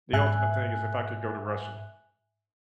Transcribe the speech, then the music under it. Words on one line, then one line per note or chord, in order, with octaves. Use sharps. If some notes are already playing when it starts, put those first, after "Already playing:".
the ultimate thing is if I could go to Russia.
G#2 E5 G#5 F#6